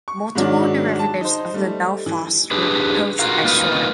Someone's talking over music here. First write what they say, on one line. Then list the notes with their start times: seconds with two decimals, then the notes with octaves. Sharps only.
Multiple derivatives of the Belfast were proposed by Short.
0.08 C#6
0.35 G#2 D#3 F#3 D4
0.99 A5
1.21 D#4 C5
1.54 G3 A3
2.06 E3
2.51 D4 G4 G#4 B4
3.19 F4 F#4 A#4 F5
3.44 A#3 D#4 F4 B4